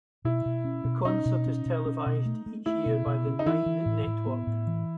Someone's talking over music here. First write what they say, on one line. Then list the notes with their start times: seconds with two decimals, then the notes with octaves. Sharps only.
The concert is televised each year by the Nine Network.
0.25 B2 E4
0.46 B2
0.65 C#4
0.85 B2
1.05 C#4 D#4
1.26 B2
1.46 C#4
1.66 B2
1.86 C#4
2.06 B2
2.26 A3
2.46 A3
2.66 A3 E4
2.86 B2
3.06 B2
3.27 C#4
3.39 D#4
3.46 E3 E4
3.66 E3
3.86 A2
4.07 A2
4.26 B3
4.47 A2
4.67 E3